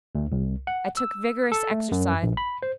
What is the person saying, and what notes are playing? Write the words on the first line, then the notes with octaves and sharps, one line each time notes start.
I took vigorous exercise.
D2
C2
F#5
E6
A4
A3
F#2
A#1
B5
C5